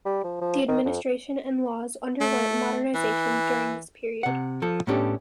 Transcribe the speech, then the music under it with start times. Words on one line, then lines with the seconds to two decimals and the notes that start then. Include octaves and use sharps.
The administration and laws underwent "modernization" during this period.
0.06 G3
0.24 F3
0.41 F3
0.68 D#3
0.85 F2
2.21 A3
2.95 E3
4.23 C3 F#5
4.62 F3 A4
4.87 A2 B3 C#4 D4 G4 A4